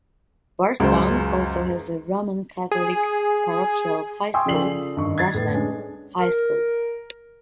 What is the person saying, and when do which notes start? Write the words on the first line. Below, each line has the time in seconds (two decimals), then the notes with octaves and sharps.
Bardstown also has a Roman Catholic parochial high school, Bethlehem High School.
0.80 C#2 F#2 C5
2.71 G#4
4.34 G5 G#5 C6 C#6 D#6 E6
4.46 C#3 F3 A4 D5 C7 F#7
4.97 G2 D#3 C#6
5.18 G#6 A6 C7
5.34 A2 B3
5.54 G#3 C#4 D4
6.19 A#4